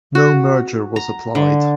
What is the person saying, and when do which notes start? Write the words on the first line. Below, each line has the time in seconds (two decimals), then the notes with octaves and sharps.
No merger was applied.
0.15 F#4
0.96 A#5
1.35 D3